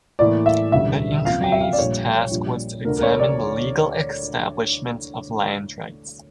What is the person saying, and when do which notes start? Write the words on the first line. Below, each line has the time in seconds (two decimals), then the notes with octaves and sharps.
The Inquiry's task was to examine the legal establishment of land rights.
0.19 A2 E3 A#3 D5
0.46 E5
0.72 E1 D2 C#3 G3 E5
1.25 F2 C#3 F3 F5
1.44 G5
1.52 E5
1.61 F5
1.73 D5
1.78 A#1 A#2 G3 C#5
2.31 A#1 A#2 G3
2.84 D2 D3 A3 A#4
2.98 A#4
3.03 C#5
3.20 D5